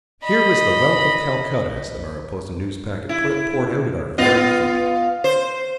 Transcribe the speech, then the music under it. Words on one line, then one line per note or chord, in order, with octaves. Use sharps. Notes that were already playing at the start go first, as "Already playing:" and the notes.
Here was the wealth of Calcutta, as the Mariposa Newspacket put it, poured out at our very feet.
D#5 B5
E4
B3 F4 D#5
C5